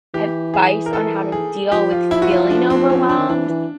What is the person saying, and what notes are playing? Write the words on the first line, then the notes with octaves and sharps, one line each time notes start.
advice on how to deal with feeling overwhelmed
E3 G4
G#4
A#4
A4
G#4
F3 G4
F4
E4
F#4
F4
D4
C4
C#4
D4
D#3
E3 D4
E3